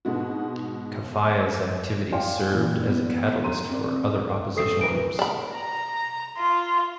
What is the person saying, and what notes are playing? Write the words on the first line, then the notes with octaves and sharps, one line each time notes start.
Kefaya's activities served as a catalyst for other opposition groups.
G#2 B2 G#3 F#4
D5 F5 G5 G#5 C6
A#2 E3 E4 D5
B3
A#5 C6 D#7
C4 A#4 D5
A3 C4 A4 D#6 C7
E3 A#4 B4 D7
D5 A5 B5
A#5
F4